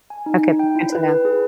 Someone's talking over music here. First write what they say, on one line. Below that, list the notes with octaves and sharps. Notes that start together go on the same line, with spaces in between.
Okay, good to know.
G#5
D#4
D#4
G5
E4
B4
B4
G#4